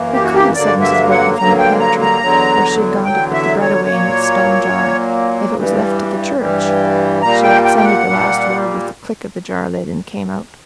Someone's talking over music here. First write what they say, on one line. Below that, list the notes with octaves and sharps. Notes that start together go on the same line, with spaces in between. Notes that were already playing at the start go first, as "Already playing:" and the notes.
"We couldn't," said Mrs. Bolton from the pantry, where she had gone to put the bread away in its stone jar, "if it was left to the church." She accented the last word with the click of the jar lid, and came out.
Already playing: F#2 E3 A#3
G4
F#4
G4
G2 D3 F#3 A#3 D5
E5
F#5
G2 D3 F#3 A#3 A#5
G5
A#5
A#5
E2 D3 F#3
E2 D3 F#3 G5
E5
C#5
A#2 F#3 A#3
A#2 F#3 A#3
G2 E3 G3
G2 E3 G3
A#2 G3 A#3 A#5
G5
G5
G5
F#5
A#2 G3 A#3